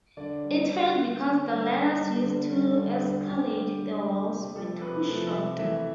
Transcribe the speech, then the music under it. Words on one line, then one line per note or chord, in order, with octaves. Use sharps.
It failed because the ladders used to escalade the walls were too short.
D3 D5
G3
D3
G3
D3
G3
D3
G3
D3
G3
D3
G3
D3 G4
G3
D3 G4
G3
C3 G4
F3 A3 A4
C3 B4
F3 A3
C3 E5
E3 A3 E5